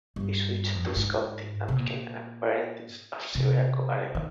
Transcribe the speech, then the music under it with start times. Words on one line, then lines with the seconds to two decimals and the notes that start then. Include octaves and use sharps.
He switch to sculpting and became an apprentice of Ciriaco Arevalo.
0.16 G2
0.75 F2
0.86 G2
0.96 G#2
1.68 C3
1.76 A#2
3.35 C3
4.15 D#3